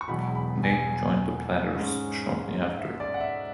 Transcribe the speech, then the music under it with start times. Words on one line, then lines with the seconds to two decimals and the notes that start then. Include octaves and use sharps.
Nate joined The Platters shortly after.
0.01 C#6
0.08 E1 E2 B2 F#3 B5
0.35 B5
0.63 G#5
1.75 G#2 G#3 C#4
2.79 E5
3.00 D5
3.14 F#5
3.21 E5